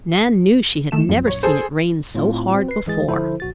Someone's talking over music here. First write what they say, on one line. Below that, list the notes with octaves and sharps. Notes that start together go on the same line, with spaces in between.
Nan knew she had never seen it rain so hard before.
D#3 A3 E7
A#1 F#2 A#2
C#5
G#4 A4 C5
A2 C4 F4
C4 F#4
B4 C7
G#1 E3 G#3 G#4 A6
D3 F3 E4 A4 C5
A#1 F#4 A6